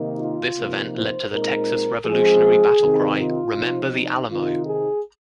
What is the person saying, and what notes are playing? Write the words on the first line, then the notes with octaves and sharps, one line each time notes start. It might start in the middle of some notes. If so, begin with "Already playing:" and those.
This event led to the Texas Revolutionary battle cry Remember the Alamo!
Already playing: C3 D#3 A#3 D#4
F4
C3 F3 A#3 D#4
C5
A#2 G#3 C4 D#4 A#4
F3 G#3 C4 G#4
C3 D#3 C4 D#4
F4
C3 F3 C4 D#4
D#4
C3 D#3 C4 D#4 F4
G#4